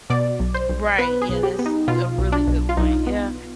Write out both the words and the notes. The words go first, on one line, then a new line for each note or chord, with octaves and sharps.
Right, yeah, that's a really good point. Yeah.
B2 D5
B1
C5
B1
B3 B4
G#4
B1
G4
B3
D#4
B2 F4
B1
D4
B1
F4
B1 D#4
B3